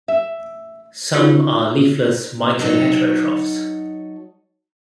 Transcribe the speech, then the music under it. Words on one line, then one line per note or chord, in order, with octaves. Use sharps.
Some are leafless myco-heterotrophs.
E5
D#4 F4 F#4 G#4 B4 C#5
F#3 D#4 A4 C#5